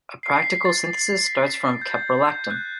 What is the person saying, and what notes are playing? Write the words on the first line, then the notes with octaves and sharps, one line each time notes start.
A practical synthesis starts from caprolactam.
C7
B6
A6
A6
B6
B6
G6
A6
G6
F#6